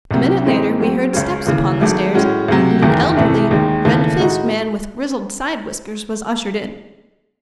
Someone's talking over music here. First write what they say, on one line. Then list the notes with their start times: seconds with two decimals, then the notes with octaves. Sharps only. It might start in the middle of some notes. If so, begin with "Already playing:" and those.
A minute later we heard steps upon the stairs, and an elderly red-faced man with grizzled side-whiskers was ushered in.
0.11 C2 C3 F#3
0.44 A2 E3 G#3 C4 D#4
0.79 G#2 F#3 C4
1.13 C#2 C#3 G#3 C#4
1.47 D#2 C#3 E3
1.81 G#1 G#2 F#3 A3
2.15 A2 G#3 C#4 F#4
2.49 C#2 C3 F#3
2.83 F#1 E2 D#3
3.17 C2 C3 E3 A3
3.51 D#2 D#3 G#3
3.85 D#2 C#3 E3 A3
4.19 A2 G#3 D#4 F#4